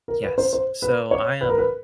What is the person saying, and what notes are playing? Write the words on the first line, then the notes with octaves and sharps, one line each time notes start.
Yes. So I am
A#4
B4
C5
C5
B4
C#5
B4
A#4
B4